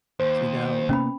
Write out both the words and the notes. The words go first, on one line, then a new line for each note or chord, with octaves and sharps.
see, now
D#2 C5
C3 A#3 B3 C#4 B5